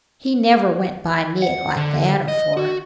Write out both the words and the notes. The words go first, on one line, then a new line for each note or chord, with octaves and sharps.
He never went by me like that afore.
F#5
D3
D#5
F#4